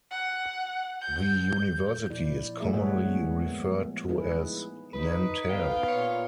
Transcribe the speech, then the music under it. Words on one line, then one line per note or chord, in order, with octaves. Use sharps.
The university is commonly referred to as Nanterre.
F#5
G6
A#2 F3 E4 D5
E3 G#3 A3 G#4 E5
B3 C#5 F#5
A#3 B3
F3
D#4 E4 G#4 B4
D#4 B4
B3 F5 G5
A#2 C#5